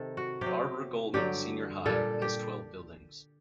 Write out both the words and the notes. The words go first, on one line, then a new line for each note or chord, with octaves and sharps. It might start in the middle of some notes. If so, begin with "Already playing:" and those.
Barbara Goleman Senior High has twelve buildings.
Already playing: C3 D#3 A4
F#4
C3 F#3 G4
G2 D3 F#3 G4
A#2 G3 A4
G4